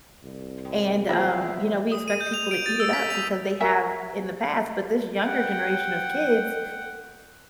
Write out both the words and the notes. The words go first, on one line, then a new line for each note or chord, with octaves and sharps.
and, um, you know, we expect people to eat it up because they have in the past, but this younger generation of kids,
C2
A2
E2 F4 G#4 C5 E5 F5 G5
D#6
D#7
G6
F7
D7
A6
E6
B6
F7
F#4 A#4 E5 G#5
F#5 G5